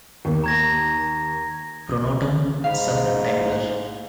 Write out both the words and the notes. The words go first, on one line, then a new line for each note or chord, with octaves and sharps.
Pronotum sub rectangular.
D#2 A#3
A#5 G#6 A#6
G#2 F5 B5